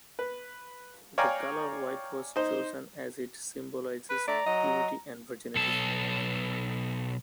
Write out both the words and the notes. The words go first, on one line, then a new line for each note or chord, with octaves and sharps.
The colour white was chosen as it symbolises purity and virginity.
B4
C#5 D5 F5 G5 G#5 A#5
D#4 C5
B4
A3 D5 A#5
F#3 D#5
B1 A4